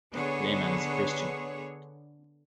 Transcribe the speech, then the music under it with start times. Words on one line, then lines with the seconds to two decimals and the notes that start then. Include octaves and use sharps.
Lehman is a Christian.
0.13 D3 B3 G#4 C#5